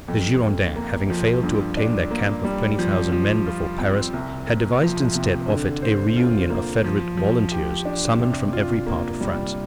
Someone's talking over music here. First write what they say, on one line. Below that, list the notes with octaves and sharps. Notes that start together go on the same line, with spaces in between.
The Girondins, having failed to obtain their camp of twenty thousand men before Paris, had devised instead of it a reunion of federate volunteers, summoned from every part of France.
F2
F2
A#3
F3
G2
D4
A#3
G3
F3
F3
F4
C4
C2
A#3
F3
C3
D3
C5
F4
A#3
F3
F3
G4
D4
C3
F4
A#3
G3